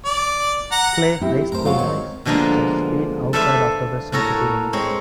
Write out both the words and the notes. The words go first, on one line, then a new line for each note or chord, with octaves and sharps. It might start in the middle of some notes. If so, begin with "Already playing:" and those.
Clay High School lies just feet outside of the western city limits.
D5
F#5 A#5
C4 E4 G4
A2 A#4 C5
F3 F#3 G#3 C4 C#4 F5
D#3 C#5
B2 D3 F3 G#3 A#3
A4 B4 C5 D5 E5 F5
A2 A#3 F#4 A4 A#4 C#5
G#3 C4 C#5